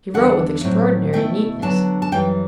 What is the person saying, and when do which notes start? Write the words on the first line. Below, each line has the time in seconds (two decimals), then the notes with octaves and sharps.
He wrote with extraordinary neatness.
0.14 E2 D3 G3 D4 F#5
0.63 A2 F#3 C4 E4
1.13 B2 A3 E4 G5
1.62 D3 F#3 B3 D4 A5
2.02 A5
2.12 F#2 E3 G3 G5